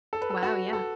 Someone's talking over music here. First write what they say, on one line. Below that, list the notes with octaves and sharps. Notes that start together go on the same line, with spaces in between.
Wow, yeah.
A4
B4
A4
F#4
A4